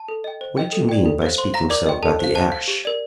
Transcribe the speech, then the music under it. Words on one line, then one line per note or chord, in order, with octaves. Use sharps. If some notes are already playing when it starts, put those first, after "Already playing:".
"What did you mean by speaking so about the Ash?"
Already playing: A5
A4
D#5 G5
C5
D#5 G5
A4
D5 G5
A4
C5 F5
C5 C6
F5 A#5 A#6
A#4 D5 D6
D#5 G5
A4 A5
C5 F5
C5 A5
F5
G4
A#4 D5